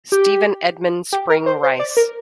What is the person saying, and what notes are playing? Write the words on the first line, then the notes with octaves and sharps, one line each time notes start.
Stephen Edmund Spring Rice.
G4
G4
A#4
C5
C5
D5
A#4